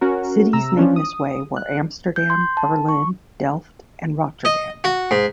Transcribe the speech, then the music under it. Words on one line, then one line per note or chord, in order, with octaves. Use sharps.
Cities named this way were Amsterdam, Berlin, Delft, and Rotterdam.
C#4 F#4 A#4
C3 A#5 E6
F3 C#4 D4
D#6
F#6
G6
C6
A5
C#6
D#5
F#4
G#2